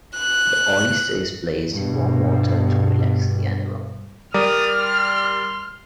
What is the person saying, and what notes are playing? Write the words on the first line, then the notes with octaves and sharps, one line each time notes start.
The oyster is placed in warm water to relax the animal.
F#6
G2 B2
G3 A#4 D5 D#6 F6
C6